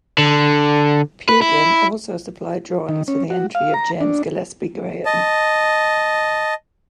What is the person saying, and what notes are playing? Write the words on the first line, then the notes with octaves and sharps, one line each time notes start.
Pugin also supplied drawings for the entry of James Gillespie Graham.
D3
B4
E4
D#3
C#4
F#4
F5
A#5
D4
D#5 A5